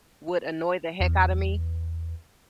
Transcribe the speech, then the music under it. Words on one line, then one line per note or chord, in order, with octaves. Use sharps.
would annoy the heck out of me.
E2